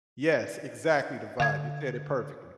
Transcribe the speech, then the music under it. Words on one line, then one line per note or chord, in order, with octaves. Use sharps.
Yes, exactly the vibe, you said it perfectly.
D3 F5 G#6